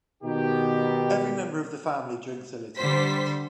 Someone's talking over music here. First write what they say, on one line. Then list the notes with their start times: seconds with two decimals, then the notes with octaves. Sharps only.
Every member of the family drinks a little of it.
0.23 B2 D#3 G4
2.76 D3 G3 C5 B6